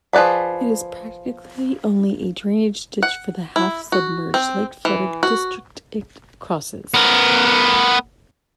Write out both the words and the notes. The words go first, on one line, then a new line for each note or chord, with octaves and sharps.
It is practically only a drainage ditch for the half-submerged, lake-flooded district it crosses.
F3 G#4 B4 D5 B5
F#5
E4
F#4
C4
E3
F#4
B3 A#4